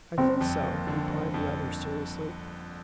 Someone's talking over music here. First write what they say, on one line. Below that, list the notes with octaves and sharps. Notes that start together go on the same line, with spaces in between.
"I think so," replied the other seriously.
G1 C4
F2
A#3
D3
G1
F2